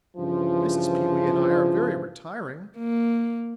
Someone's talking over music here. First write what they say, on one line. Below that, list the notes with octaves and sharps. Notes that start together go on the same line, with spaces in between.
Mrs. Pewee and I are very retiring.
G2 C#3 E3 F3
A#3